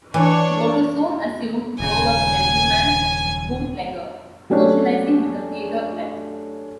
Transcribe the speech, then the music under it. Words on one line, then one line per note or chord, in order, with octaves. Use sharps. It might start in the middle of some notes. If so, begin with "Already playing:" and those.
Doto soon assumed the role of a gentleman bootlegger, socializing with the theater elite.
E3 D4 C#5
D#1 C#3 G#5
F#3 A3 C#4 D4 G4 C#5